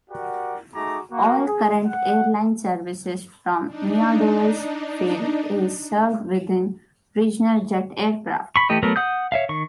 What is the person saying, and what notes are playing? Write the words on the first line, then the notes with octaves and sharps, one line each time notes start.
All current airline service from Meadows Field is served with regional jet aircraft.
F#4 G4 A#4 D5 F#5
A3 D#4 F#4 G#4 A#5 D6
A#3 F#4
G#4
F#5
D4 D#4
B5 C#6
E3 A3 G4 D#5
F#3 A3 B3 A#4
F#5 D#6 G6
C#5 E5 F5
D#3 C#6